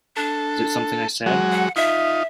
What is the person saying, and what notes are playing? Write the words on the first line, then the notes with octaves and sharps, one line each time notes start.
Is it something I said?
D4 A4
F#3 G#3 F#4
F#5
D#4 F4 E5